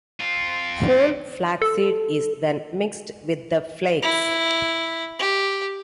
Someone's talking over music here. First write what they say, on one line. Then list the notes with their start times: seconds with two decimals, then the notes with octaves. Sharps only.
Whole flaxseed is then mixed with the flakes.
0.21 C4 F4
1.62 A4
4.03 E4
5.19 G4